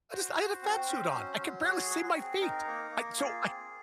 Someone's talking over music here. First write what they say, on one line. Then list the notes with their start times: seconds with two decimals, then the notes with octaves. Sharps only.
I just I had a fat suit on, I could barely see my feet. I so I
0.11 F#4 C5
0.37 F#4
0.63 C4
0.87 C#4
1.13 F#3
1.39 F#3
1.64 F#4 G#4
1.84 G#4
1.90 F#4
2.02 F#4
2.15 C4
2.22 G#4
2.41 D#4 A#4
2.67 A#3
2.91 A#3
3.18 F4 G#4
3.43 C4